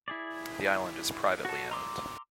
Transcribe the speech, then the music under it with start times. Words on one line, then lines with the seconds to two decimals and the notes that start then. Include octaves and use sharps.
The island is privately owned.
0.08 E4 G#4 D5
1.45 F#4 A4
1.71 A#5 C6 D6 E6